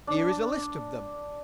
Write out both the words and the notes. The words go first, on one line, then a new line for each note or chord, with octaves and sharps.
"Here is a list of them."
D4